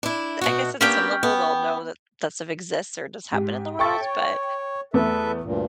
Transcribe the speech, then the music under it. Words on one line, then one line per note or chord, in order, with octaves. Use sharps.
I guess on some level, they'll know that, that stuff exists or does happen in the world, but,
D4 E4
B2 A3 F#4
A#3 B3 C#4 D4 G4 G5
B3
G#2 G4
A4 E5 G5 C#6 A6
C#5
E2 A3 B3 A4 B4 E5
D2 G2 A#2